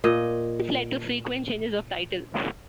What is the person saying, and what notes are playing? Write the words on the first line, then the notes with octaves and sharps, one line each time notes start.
This led to frequent changes of title.
A#2 D#5